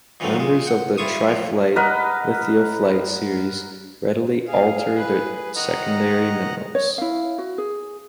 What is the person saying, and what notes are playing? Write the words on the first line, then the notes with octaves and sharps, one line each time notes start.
Members of the triphylite-lithiophilite series readily alter to secondary minerals.
A#2 D#3 E3 F#3 A3 C4
A#2 G#3
F#5 G5
G3 E4 F4 C#6 D#6
F2 A2 F3
A#4 B4 D#5 F#5
G#4 F5
B4
D#3 D#5 F#5 A#5
C#5
E4 F5
F#4
G#4